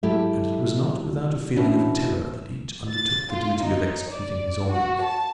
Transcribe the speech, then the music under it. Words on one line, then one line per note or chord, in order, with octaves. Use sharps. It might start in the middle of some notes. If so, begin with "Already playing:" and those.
And it was not without a feeling of terror that each undertook the duty of executing his orders.
G#2 F#3 G#3 E4 G4 A4
B2 E3 A#3 C#4 D4
A6
F4
D#4
D5
F#4
A5